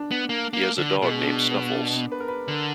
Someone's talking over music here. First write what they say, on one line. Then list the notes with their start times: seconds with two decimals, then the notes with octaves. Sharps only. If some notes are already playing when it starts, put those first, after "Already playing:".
He has a dog named Snuffles.
Already playing: D4
0.11 B3
0.29 A#3
0.53 A#3
0.78 D3
1.02 B2 G#3
1.26 D4
1.51 B3
1.75 D4
2.12 B4
2.20 A#4
2.28 B4
2.48 D3 A#4